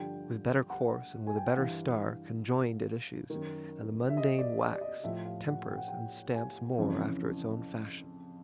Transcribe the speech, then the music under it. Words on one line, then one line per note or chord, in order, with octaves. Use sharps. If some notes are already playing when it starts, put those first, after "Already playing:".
With better course and with a better star Conjoined it issues, and the mundane wax Tempers and stamps more after its own fashion.
Already playing: G2 D3 F3 G5
F#5
G#5
G5
F#5
G2 E3 F5
D#3
F#2
E5
D#5
D5
D#5
D5
D#5
A2 F3 E5
F5
F#5
G5
F#5
G5
G#5
F2 C#3 E3